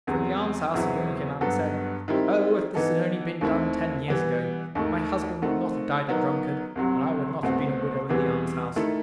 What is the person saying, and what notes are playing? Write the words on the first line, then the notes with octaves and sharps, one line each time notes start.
From the alms-house a woman came out and said, "Oh! if this had only been done ten years ago, my husband would not have died a drunkard, and I would not have been a widow in the almshouse."
E2 C3 F#3
E2 B2 F#3 C4 E4
G2 F#3 B3 F#4 A4
D#3 G3 C4 E4 G4
E3 B3 D#4 A4
D#2 D#3 A3 C4 E4
E3 G3 B3
D#2 D#3 A3
D#3 A3 C4 F#4
D#3 F#3 B3
C2 C3 F#3
C2 B2 A3 C4 F#4
E2 C3 E3 G3 B3
D#3 A3 E4 A4